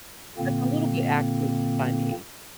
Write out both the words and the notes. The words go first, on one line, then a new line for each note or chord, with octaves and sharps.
That's a little bit actually funny.
A#2 D3 A#3 C4